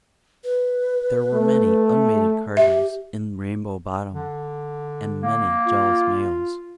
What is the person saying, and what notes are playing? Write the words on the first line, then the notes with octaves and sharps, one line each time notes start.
There were many unmated cardinals in Rainbow Bottom, and many jealous males.
B4
A3
G4 E5
D3
A#3
F4